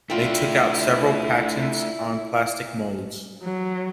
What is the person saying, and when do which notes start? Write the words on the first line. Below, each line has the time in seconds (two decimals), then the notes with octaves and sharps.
They took out several patents on plastic molds.
0.10 A3 D4 E4 F4 G5
3.42 F#3